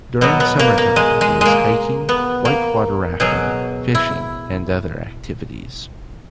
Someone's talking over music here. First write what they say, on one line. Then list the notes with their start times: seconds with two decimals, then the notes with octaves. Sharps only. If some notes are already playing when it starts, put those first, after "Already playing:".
During summertime there is hiking, whitewater rafting, fishing, and other activities.
0.21 B2 F#3 B3
0.40 B3
0.59 A#3
0.78 A#3
0.96 G#3
1.21 G#3
1.41 G#3 A#3
2.09 B3
2.45 A#3
3.20 B2 F#3 G#4
3.95 E4